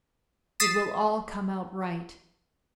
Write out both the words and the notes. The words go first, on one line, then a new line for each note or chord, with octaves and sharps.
It will all come out right.
D#6 A6 B6 C7 D#7 E7